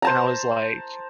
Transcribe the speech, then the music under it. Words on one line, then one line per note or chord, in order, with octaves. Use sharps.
And I was like,
C5 A5 A#5